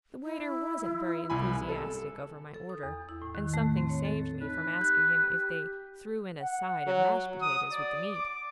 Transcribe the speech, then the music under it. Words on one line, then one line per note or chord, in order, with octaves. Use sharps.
The waiter wasn't very enthusiastic over my order, and something saved me from asking him if they threw in "a side" of mashed potatoes with the meat.
E4
C2 G#5 B5
A4
A4
D#6
E2
E4
A2
D#3
A3
C4
C#5
A4
D#4 B4
G4 F#6 G6
F#5
F#3
D#6
D5
D6